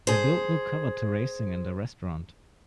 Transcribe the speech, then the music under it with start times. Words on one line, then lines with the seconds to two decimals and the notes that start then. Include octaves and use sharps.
They built new covered terracing and a restaurant.
0.07 G#4 C5